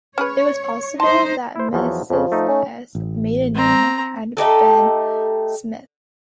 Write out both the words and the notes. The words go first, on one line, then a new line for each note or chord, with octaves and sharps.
It was possible that Mrs. S's maiden name had been Smith.
C#4 G#4 B4 C#5
D#4 C5 A5 C6
E4 C5
E2 F3 F#3
F2 C#3 F3
A3 D#4
C#4
A1
C4 A#5
A3 D#4 G4 A4